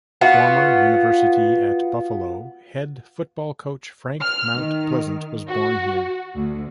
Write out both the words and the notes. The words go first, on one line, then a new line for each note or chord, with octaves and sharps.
Former University at Buffalo head football coach Frank Mount Pleasant was born here.
B3 F4 F#4
F6
D#3
F#4
D2